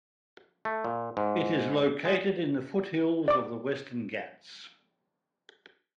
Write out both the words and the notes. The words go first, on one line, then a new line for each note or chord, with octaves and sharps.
It is located in the foothills of the Western Ghats.
A3
A#2
G#2
G#3
D5 D6